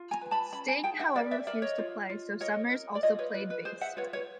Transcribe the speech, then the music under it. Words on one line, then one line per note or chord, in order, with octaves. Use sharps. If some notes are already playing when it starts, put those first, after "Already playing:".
Sting, however, refused to play so Summers also played bass.
Already playing: F4
G#5 A#5
B4
A5 B5
C#4 A5 B5
G#5 A#5
G#4 G5 A5
E5 F#5
A#4 D5 E5
D5 E5
A#4 D5 E5
C#5 D#5
F4
F4
A#4 C#5 D#5
A#4
D5
F4 C#5 D#5
B4 C#5
F4 B4
B4
G#4 C5
E5 F#5
F4 B4 C#5
B4 C#5